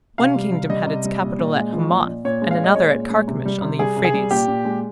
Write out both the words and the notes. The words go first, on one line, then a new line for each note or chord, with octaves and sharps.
One kingdom had its capital at Hamath and another at Carchemish on the Euphrates.
C3 F5
G3
C3
G3 D#5
C3
G3
A#2
A#2
G#3
F3
A#2
A#2
A#2 C#5
G#3
F5
A#2
D#5
G#3 C#5
A#2
G#3
C3
G3
C3
G3 G#4
C3
G#4
G3
A#2 G4
A#2
G#3